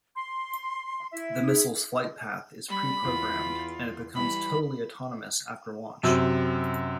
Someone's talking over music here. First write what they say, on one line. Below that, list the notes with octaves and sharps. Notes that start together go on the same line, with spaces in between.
The missile's flight path is pre-programmed and it becomes totally autonomous after launch.
C6
E4 E5
D#4 G#4
G3 B5
E2 F4
E3 G3 B5
F#2 C3